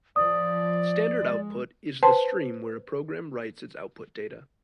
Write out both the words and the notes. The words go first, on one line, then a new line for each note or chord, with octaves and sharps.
Standard output is the stream where a program writes its output data.
F3 D5 D#6
G#3
B4 C5 G5 A5 C6